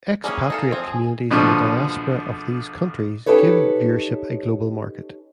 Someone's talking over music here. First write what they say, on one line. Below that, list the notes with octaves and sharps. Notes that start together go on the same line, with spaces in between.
Expatriate communities in the diaspora of these countries give viewership a global market.
G3 A#3 C#4 G#4
D#4 A4 F5
F3 C4
A#1 B2 D3 F3 D4 C#6
C#4 D#4 G4 A4 B4 C#5